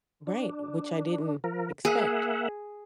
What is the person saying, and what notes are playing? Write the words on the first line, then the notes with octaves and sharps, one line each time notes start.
Right, which I didn't expect.
D4
F3 A#4
A#3 G#4 E5 F#5